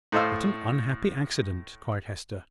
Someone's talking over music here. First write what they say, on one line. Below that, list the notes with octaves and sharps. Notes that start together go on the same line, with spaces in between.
"What an unhappy accident!" cried Hester.
A2 A3 C5 D#5 F5 E6